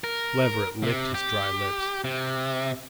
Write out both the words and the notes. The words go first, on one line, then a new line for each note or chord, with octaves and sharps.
Leverett licked his dry lips.
A#4
C3
G4
C3